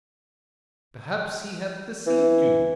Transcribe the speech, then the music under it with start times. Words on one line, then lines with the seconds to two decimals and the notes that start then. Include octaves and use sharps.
Perhaps he hath deceived you.
2.07 E3